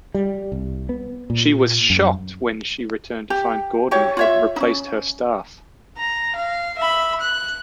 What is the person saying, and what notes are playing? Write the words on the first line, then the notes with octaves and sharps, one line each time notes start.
She was shocked when she returned to find Gordon had replaced her staff.
G3
C2
B3
A#2
F#2
G4
E4 F#4 G4 C#5
F4 C#5 E5
C#4 D#4
A#5
F5
E5 B5
F#6